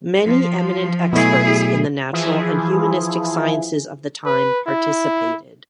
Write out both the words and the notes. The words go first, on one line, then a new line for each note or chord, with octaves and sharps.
Many eminent experts in the natural and humanistic sciences of the time participated.
F3
B2 F#3 A3 E4 G#4
E3 F3 E4 G#4
B4
E4